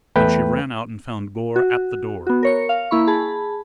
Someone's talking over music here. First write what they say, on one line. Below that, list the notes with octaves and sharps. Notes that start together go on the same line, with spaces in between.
Then she ran out and found Gore at the door.
E2 A3 B4 G5
F#4
B3 F#4
A#4 C#5 C#7
F5
A#3 E4 B5 C#6
G#4 A5 B5